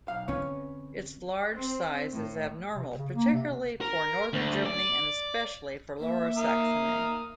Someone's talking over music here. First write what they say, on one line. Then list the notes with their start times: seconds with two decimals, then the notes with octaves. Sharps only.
Its large size is abnormal, particularly for northern Germany and especially for Lower Saxony.
0.08 B1 F5
0.28 D3 C4 C#4 B4 C#5
1.54 C4
2.13 A2
2.74 C3
2.98 C#3
3.13 A#3
3.33 C3
3.81 A#4
4.33 D2
4.65 D5
6.00 A#3 E5
6.37 A#4 F5 D#6